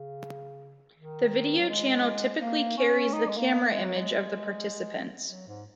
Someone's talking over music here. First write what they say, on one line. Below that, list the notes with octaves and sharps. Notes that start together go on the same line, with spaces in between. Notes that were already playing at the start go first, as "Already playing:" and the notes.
The video channel typically carries the camera image of the participants.
Already playing: C#3
D#3
F#3
G#3
A#3
C#4
D#4
G#3
A#3
A#3
G#3
F#3
G#3
F#3
G#2